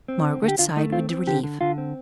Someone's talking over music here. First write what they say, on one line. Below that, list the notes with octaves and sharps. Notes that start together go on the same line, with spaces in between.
Margaret sighed with relief.
C4
D3
D3
G4
D3 F4
A3 D#4
C4 F4
C4
D3 G4
D3
D3 F4
C4